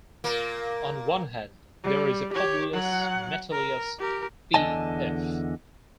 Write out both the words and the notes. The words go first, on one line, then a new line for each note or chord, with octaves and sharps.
On one hand there is a Publius Metilius P.f.
A#2 A#3
G3
G4 C#5
F#3 F#5
A#4
G4 A#4
E2 D3 G3 D#5 G#5 A5